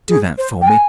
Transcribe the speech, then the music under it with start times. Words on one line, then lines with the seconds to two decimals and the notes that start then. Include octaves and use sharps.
Do that for me.
0.08 G#4
0.37 C5
0.61 G5
0.67 G#5